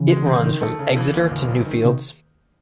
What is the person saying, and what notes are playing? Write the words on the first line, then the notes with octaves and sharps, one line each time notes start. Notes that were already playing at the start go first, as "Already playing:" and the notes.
It runs from Exeter to Newfields.
Already playing: C#3 E3
G#3
C4
D#3
A3
C#3
E3
D#2
F#1
F#2
D#3
C3